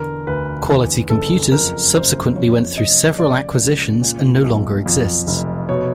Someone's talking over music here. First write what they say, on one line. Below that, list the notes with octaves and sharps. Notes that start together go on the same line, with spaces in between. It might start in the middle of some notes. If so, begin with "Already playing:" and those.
Quality Computers subsequently went through several acquisitions and no longer exists.
Already playing: E2 B2 D3 A#4
D2 B4
E2
F#1 A4
F2 A#4
F#1 C5
F2 C#5
F1 D#5
C#3 D5
C#2
A#2
B1
F2
F1
B2 C#5